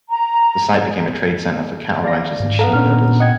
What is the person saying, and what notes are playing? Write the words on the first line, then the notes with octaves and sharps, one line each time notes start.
The site became a trade center for cattle ranchers and sheepherders.
A#5
D5 F5 A#6
G#2
B3 A4 F5 A#5
A#2 C#4 D4 F6
D#5 F#5 G5 G#6